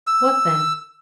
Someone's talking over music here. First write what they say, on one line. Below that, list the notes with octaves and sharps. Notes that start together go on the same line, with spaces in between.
"What then?"
E6